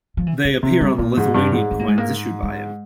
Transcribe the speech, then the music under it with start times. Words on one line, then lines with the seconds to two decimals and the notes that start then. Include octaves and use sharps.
They appear on the Lithuanian coins issued by him.
0.17 F3
0.27 E3
0.45 C#3
0.63 C3 F3
0.81 G3
0.98 A#2 C4
1.17 G#2
1.34 G2
1.52 G#2
1.71 C4
1.79 A#3
1.88 G#3
1.98 A#3
2.43 G#3